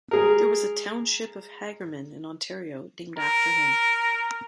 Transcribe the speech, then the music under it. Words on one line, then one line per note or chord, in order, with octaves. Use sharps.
There was a township of "Hagerman" in Ontario named after him.
G#3 G#4 A#4
A#4